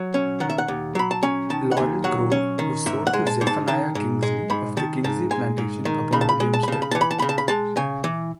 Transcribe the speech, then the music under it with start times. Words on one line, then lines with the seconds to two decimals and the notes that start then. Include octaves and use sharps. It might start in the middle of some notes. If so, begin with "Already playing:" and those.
Laurel Grove was sold to Zephaniah Kingsley of the Kingsley Plantation upon William's death.
Already playing: F#3
0.14 C#4
0.40 D#3 F#5
0.50 E5
0.58 F#5
0.68 D#2
0.95 F#3 B5
1.11 A5
1.23 C#4 G#5
1.50 D#3 A5
1.71 F#5
1.77 D#2 G#5
2.04 F#3 F#5
2.32 C#4
2.59 D#3
2.86 G#2 E5
3.07 F#5
3.13 G#3
3.27 A5
3.41 G#2
3.47 A5
3.68 D#3 A5
3.95 G#2
4.23 G#3
4.50 G#2 B5
4.77 D#3 A5
5.04 G#2 A5
5.31 G#3 G#5
5.58 G#2
5.85 D#3
6.12 C#3 B5
6.21 A5
6.29 B5
6.40 G#3
6.53 A5
6.63 B5
6.68 C#3 A5
6.82 B5
6.91 E3 A5
7.01 B5
7.11 A5
7.19 C#3 B5
7.29 A5
7.38 B5
7.48 G#3 A5
7.76 C#3 G#5
8.04 E3